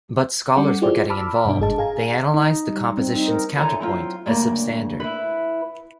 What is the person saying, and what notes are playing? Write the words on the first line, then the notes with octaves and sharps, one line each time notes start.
But scholars were getting involved: they analysed the composition's counterpoint as substandard.
G3 C#4 A4 F#5 D6
E4 F4 G4 G#4 C5 D5
A5 B5 D6 E6 F6
G2 B2 D4
G1 G#2 G#4 D#5 A5
G#4 F5 G#5 A#5
D#4
G3
C4
D#4
A#4
D3 E3 D#4 C#5 G#5 A#5
F#3 C4 F4
D2 G2 C#3 A#3 D5
E4 B4